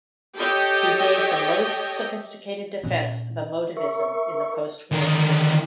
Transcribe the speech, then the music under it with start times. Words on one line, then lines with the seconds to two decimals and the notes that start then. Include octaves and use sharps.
He gave the most sophisticated defense of emotivism in the post-war period.
0.38 G4 A4 C#5 D#5 G5
2.83 A#2 C#4
3.77 A#4 E5 C#6
4.92 D3 D#3